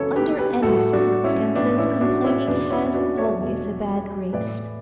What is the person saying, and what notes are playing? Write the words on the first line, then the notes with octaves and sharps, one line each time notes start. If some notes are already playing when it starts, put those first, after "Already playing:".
Under any circumstances, complaining has always a bad grace.
Already playing: F#2 C#3 E3 A4 C#5
G4 B4
G4 B4
A2 E3 F#4 A4
D4 F#4
C#4 E4
A2 E3 B3 D4
C#4 E4
D4 F#4
C#4 E4
E2 B2 B3 D4
C#4 E4
D4 F#4
C#5 E5
E2 B2
A2 E3 B4 D5